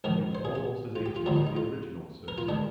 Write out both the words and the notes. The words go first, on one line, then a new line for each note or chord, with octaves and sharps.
She was almost as ancient as the original Circe.
A#1 G#2 D#3 A#4
C5
G#4
G4
F4
G4
F4
D#2 D3 F3 A#3 F4
D#4
D#4
F4
A#4
F4
D#3 G#3 D4